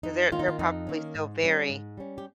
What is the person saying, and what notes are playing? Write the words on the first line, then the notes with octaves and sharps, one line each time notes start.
'Cause they're they're probably still very
F2 D#4
D#3 A#3 C#4 F4
D#4
F4
F2 D#4
D#3 A#3 C#4
G#2
G3 C#4
G#2
G3 C#4
G4